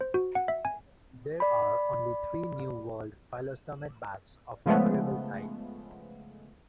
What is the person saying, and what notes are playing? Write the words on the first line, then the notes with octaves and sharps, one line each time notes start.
There are only three New World phyllostomid bats of comparable size.
C5
F#4
F#5
E5
G#5
D5 B5
C#3 F3 G#3 A3 B3